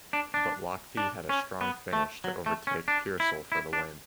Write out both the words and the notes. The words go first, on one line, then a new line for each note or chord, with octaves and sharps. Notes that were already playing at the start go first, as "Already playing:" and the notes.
But Lochte had a strong finish to over-take Peirsol for the win.
D4
D4
D4
C#4
B3
A3
F#3
A3
C#4
D4
E4
E4
D4